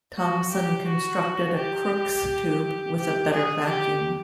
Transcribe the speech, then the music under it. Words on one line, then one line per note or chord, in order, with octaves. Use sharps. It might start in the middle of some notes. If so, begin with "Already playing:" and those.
Thomson constructed a Crookes tube with a better vacuum.
F#4
G4
F#4
G4
G4
G#4
G4